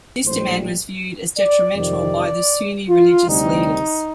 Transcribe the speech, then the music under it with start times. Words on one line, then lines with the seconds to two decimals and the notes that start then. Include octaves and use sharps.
This demand was viewed as detrimental by the Sunni religious leaders.
0.23 A#1 A2 G3 C5
1.38 D5
1.75 F2 C3 D#3 D5
2.90 F4
3.27 D2 C3 G3 D#4